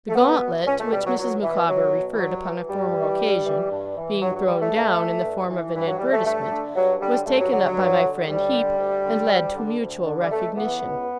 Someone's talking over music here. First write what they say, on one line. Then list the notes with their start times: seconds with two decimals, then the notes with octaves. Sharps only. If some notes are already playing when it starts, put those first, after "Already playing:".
The gauntlet, to which Mrs. Micawber referred upon a former occasion, being thrown down in the form of an advertisement, was taken up by my friend Heep, and led to a mutual recognition.
0.09 A3
0.15 C#2 B3
0.41 B2
0.66 C#2 C#4
0.79 A3
0.92 B2 G3
1.05 F#3
1.17 C#2 F#3
1.42 B2 E3
1.68 C#2 F#3
1.93 B2
2.13 E3
2.18 G2 F#3
2.43 E3
2.69 G2 G3
2.95 E3
3.20 G2
3.45 E3
3.70 G2
3.96 E3
4.21 G2 F#3
4.34 F#3
4.47 E3 G3
4.60 A3
4.72 G2
4.98 E3
5.23 G2
5.49 E3
5.74 G2 E3
5.86 F#3
5.99 E3 G3
6.12 A3
6.24 G2 A3
6.51 D3
6.75 G2 F#3
7.01 D3 G3
7.26 G2 A3
7.38 F#3
7.51 D3 F#3
7.60 G3
7.64 F#3
7.77 G2
8.03 D3
8.27 D2 G3
8.53 D3
8.78 D2
9.04 D3
9.30 D2
9.54 D3
9.80 D2
10.06 D3
10.20 G3
10.30 C#2 A3
10.56 C#3 E3 B3
10.81 C#2